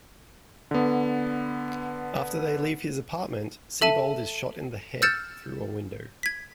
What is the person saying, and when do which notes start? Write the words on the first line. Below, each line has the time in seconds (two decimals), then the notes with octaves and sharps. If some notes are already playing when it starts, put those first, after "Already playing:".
After they leave his apartment, Siebold is shot in the head through a window.
0.71 D3 B3
3.81 A4 E5 A5 D#7
5.02 E6 F6 G6 A6 C#7 E7
6.23 G#6 B6